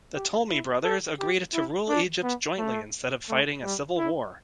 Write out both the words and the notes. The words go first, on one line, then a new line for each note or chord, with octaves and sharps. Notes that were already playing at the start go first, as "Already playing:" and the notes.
The Ptolemy brothers agreed to rule Egypt jointly instead of fighting a civil war.
G4
E4
A4
G4
E4
D4
B3
A3
A3
G3
E4